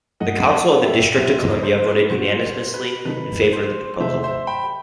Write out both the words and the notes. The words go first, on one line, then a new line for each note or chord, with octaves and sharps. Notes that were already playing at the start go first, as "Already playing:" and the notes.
The Council of the District of Columbia voted unanimously in favor of the proposal.
G2 F#3 A3 D#4 D#5 F#5
F#5 A5
E5 G5
B2 F#3 B3 F#4 C5 E5
B4 D#5
C5
B4
B2 F#3 B3 F#4 C5
C5
B4
C3 D#3 F#3 A3 D#4 B4
C5
C3 D#3 F#3 A3 D#4 C5 E5
C5 E5
G5 B5